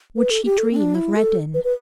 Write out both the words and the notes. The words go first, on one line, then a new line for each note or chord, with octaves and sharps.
Would she dream of Reddin?
B4
A4
G4
A4
C4
D4
E4
A4
B4
B4